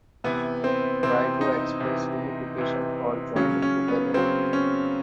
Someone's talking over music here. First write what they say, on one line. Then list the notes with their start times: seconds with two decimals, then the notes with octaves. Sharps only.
Try to express unification or joining together.
0.24 C3 E3 B3
0.64 C4
1.03 C3 E3 C4
1.41 D#4
1.80 C3 E3
2.58 C3 E3
3.36 C#3 F#3 C#4
3.62 C#4
3.88 B3
4.14 C#3 F#3 C4
4.53 C#4